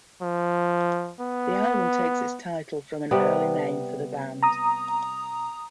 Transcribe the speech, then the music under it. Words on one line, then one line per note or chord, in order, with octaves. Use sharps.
The album takes its title from an early name for the band.
F3
B3
C3 G3 B3
A#5 D#6